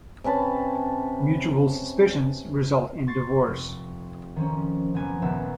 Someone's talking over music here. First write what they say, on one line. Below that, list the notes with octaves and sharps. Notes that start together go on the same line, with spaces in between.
Mutual suspicions result in divorce.
C3 C#4 B4 A5
C6 C#6 A6 C7
F1
D#3 F3 C#4
F#1 F3 A#3 B3 G#5
D#1 C#2 A#2 F3 B3 E5